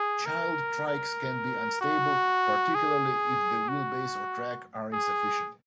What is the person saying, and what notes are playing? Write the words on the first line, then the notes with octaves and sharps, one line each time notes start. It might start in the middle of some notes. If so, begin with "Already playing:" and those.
Child trikes can be unstable, particularly if the wheelbase or track are insufficient.
Already playing: G#4
A#4
A#4
F#4
G#4
F#4
G#4